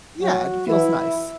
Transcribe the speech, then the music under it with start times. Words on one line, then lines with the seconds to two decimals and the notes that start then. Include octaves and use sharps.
Yeah, it feels nice.
0.22 F#3 F#4
0.67 E3 E4